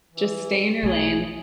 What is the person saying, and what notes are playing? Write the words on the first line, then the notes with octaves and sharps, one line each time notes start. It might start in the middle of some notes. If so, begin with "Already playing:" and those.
just stay in your lane
E3
B1 A3 G#4